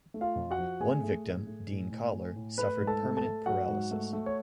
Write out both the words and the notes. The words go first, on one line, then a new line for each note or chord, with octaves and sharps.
One victim, Dean Kahler, suffered permanent paralysis.
A3
F4 F5
F2
F#4 F#5
F3
A3 G#4 G#5
A3
A2
A3
A2
A2
A3
A2
A3 B4 B5
G#2
A4 A5
A3
A4 A5
A3
F#3 F#4 F#5
G#2
A3
A3
C#5